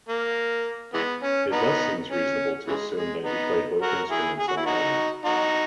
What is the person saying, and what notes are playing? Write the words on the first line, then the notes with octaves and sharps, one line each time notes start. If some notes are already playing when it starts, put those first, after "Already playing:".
It thus seems reasonable to assume that he played both instruments on the album.
A#3
E3 G#3 B3
C#4
B3 D#4
C#4
C#3 E3 G#3
G#3
B3 D#4
F#4 A#4
E4 G#4
G#4
F#4
E4
D#4 F#4
D#4 F#4